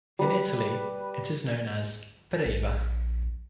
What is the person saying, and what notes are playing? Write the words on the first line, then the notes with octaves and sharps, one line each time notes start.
In Italy it is known as Breva.
G3 B4
A#1